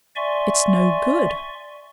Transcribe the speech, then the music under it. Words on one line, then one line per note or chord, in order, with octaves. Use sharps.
"It's no good."
D5 E5 G#5 C6 C#6